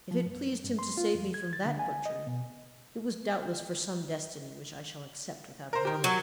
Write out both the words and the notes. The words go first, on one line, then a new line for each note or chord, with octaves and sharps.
If it pleased him to save me from that butchery, it was doubtless for some destiny which I shall accept without a murmur.
F3
F#2
G2
C6
F4
F2
G#6
A6
D3
G#5
D#5
B2
A#4 C5
G4 A#4
F#3